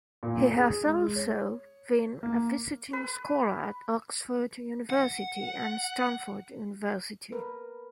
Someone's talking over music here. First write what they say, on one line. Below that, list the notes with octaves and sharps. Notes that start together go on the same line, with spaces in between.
He has also been a visiting scholar at Oxford University and Stanford University.
A#2
G#4
G#3
C#5
A#3
B4
F#5
A#4 B4